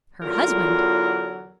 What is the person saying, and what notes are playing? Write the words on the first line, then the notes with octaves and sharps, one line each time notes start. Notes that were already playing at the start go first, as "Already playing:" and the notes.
Her husband?
E2 D3 F#3 F4 A#4